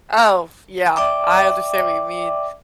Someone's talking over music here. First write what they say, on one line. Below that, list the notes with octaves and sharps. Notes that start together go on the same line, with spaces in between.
Oh, f yeah, I understand what you mean.
D5 E5 G5 D6